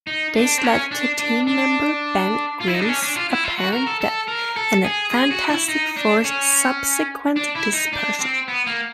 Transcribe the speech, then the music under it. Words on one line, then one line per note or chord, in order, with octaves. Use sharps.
This led to team-member Ben Grimm's apparent death and the Fantastic Four's subsequent dispersal.
D#4
D4
C4
C#4
D4
D4
D4
F4
E4
D#4
D4
C#4
D4
F4
E4
F4
F#4
A#4
A4
A4
A#4
A4
G#4
G#4
F#4
E4
D#4
D4
C#4
D4
E4
D#4
D4
C4
B3
A#3